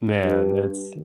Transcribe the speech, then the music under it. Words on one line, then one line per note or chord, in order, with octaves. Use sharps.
man, it's
G2